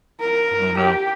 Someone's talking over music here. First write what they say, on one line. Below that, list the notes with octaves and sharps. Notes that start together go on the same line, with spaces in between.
Oh, no.
A#4
G4